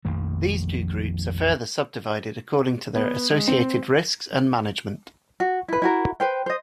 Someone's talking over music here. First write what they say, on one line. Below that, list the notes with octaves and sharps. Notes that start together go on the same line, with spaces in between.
These two groups are further subdivided according to their associated risks and management.
A#1 F2 D#3 A3
B3
G#3
C4
F#4
E4 B4
E4 F#4 A#4
B4 C5 G5
C5 D#5